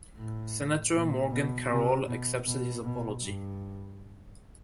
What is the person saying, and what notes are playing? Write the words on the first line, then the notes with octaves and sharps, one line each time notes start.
Senator Morgan Carroll accepted his apology.
A2
A#2
B2
C3
B2
B2
B2
G2